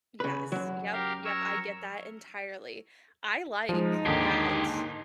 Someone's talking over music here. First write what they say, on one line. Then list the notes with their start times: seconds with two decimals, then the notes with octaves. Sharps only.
Yes, yup, yup, I get that entirely. I like that
0.20 C#3 B4
0.52 F#2 F#3
0.92 G4 A#4 F5
1.25 A#4 C#5 E6
3.69 F3 G#3 D#4
4.06 D#2 G#2 D3 G4 G#4